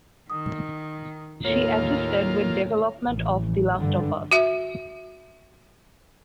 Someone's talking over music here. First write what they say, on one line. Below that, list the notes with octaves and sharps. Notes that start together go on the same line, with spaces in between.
She assisted with development of "The Last of Us".
D#3 D#6
D#2 A2 A#3 F4 A4 C#5
A1
G2 D3
F#4 E5